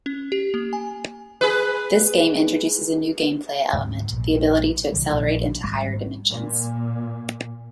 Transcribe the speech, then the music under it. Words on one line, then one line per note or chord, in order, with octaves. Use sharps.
This game introduces a new gameplay element: the ability to accelerate into higher Dimensions.
C#4
G4
A#3
G#5
G#4 B4
D1 G#2 C3
A#1
C2 E3 G3
A#1
G#1 G3 G#3
A#2